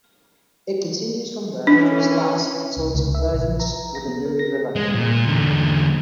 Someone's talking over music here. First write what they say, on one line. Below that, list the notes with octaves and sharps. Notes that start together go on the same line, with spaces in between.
It continues from there for its last until its convergence with the Mooi River.
E3 C#4 D4
C2
C#2
E5
A#1
F3
A#5
A#6
B3
A#4
A#6
G#3
A#2
E2 D3